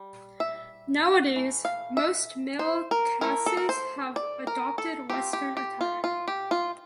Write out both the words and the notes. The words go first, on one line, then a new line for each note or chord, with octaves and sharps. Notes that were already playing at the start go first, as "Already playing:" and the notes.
Nowadays, most male Khasis have adopted western attire.
Already playing: G3
E5
E3 A3
F5
E5
C5
A#4
A3 E4 A#4
A4
A#4
C5
D5
A#4
A4
A3 C4 F4 G4
G4
G4
F4
F4
G4
F4